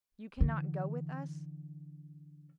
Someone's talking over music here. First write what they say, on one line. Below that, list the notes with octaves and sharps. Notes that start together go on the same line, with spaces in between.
"You cannot go with us!"
D3 E3